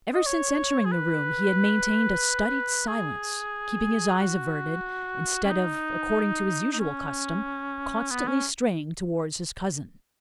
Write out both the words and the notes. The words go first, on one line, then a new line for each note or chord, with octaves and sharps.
Ever since entering the room he had maintained a studied silence; keeping his eyes averted, instead of, according to his usual custom, constantly straying towards his cousin.
D#5
C#5
G#4
B4
G#4
F#4
C#4
D#4
D#4
C#4
B3
C#4